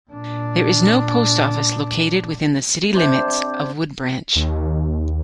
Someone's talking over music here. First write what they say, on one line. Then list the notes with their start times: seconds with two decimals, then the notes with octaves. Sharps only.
There is no post office located within the city limits of Woodbranch.
0.10 A#2 D4
2.94 C3 D4 C5
4.36 D#2